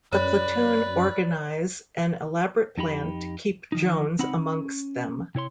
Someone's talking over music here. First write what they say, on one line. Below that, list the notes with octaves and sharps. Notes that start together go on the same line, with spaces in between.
The platoon organise an elaborate plan to keep Jones amongst them.
F#2 B4 C#5 D5
F2 D#4 G4 B5
D#3 F3 D#4
C#2 C4 D#4 F#5 B5
C#4
C3 E4 C#5 C6